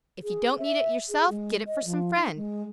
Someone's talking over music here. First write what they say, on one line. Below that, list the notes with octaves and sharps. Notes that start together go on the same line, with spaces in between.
If you don't need it yourself, get it for some friend.
G#4
E5
G#4
G#3
D#5
F3
D#4
G#3